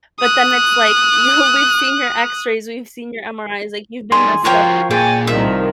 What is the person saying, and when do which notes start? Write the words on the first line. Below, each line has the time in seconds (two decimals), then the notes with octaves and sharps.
But then it's like, You "We've seen your X-rays, we've seen your MRIs, like, you've been messed up
0.20 D#6 F#6
4.12 D#3 G3 G#4 C6
4.45 F3 F4 F#4 A#4 C#5 G5
4.91 A#2 G#4 G5 G#5 C#6 A6
5.27 C2 D#3 F3 E5